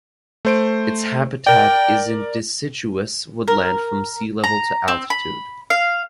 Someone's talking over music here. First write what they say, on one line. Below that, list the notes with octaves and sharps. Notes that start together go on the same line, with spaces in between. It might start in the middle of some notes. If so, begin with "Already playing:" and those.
Its habitat is in deciduous woodland from sea level to altitude.
A3 C5 D7
A#4 D5 G5
A#4
A#5
C4
B5
F5